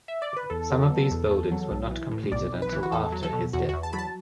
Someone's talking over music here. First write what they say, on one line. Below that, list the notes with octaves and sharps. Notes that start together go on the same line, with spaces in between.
Some of these buildings were not completed until after his death.
E5
D5
B4
E2 A4
F#3
B2
E2
E2
F#3
B1
E3
A2
B1 D5
B1
B4
E3
F#4
E2 A4
F#3
A4
B2
E2 F#4
E2 F#4
A5
F#3 B5
A5